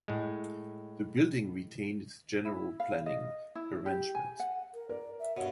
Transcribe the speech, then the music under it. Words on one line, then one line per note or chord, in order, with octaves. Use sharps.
The building retains its general planning arrangement.
A2 G#3
E4
F5
D#5
E4
G4
G#5
F#5
A#4
A#4 D5
E5
G2 B2 C#5